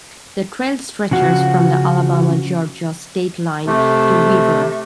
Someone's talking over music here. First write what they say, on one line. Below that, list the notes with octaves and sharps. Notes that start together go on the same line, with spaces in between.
The trail stretches from the Alabama-Georgia state line to Weaver.
C#3 F3 F#4
C3 A3